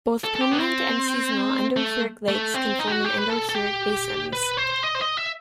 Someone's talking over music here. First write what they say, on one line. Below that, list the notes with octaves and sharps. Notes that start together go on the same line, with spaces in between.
Both permanent and seasonal endorheic lakes can form in endorheic basins.
A4
A4
G4
B3
C4
A3
A3
C4
D#4
G4
F#4
G4
B4
A4
A4
G4
B4
C5
D#5
C5
D#5
E5